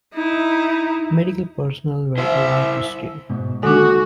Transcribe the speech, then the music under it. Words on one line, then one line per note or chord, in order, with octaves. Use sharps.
Medical personnel were allowed to stay.
D#4 E4
E4 C5 E5
G#2 B2
D#2 D3 D#3 G#3 D4 F#4 A4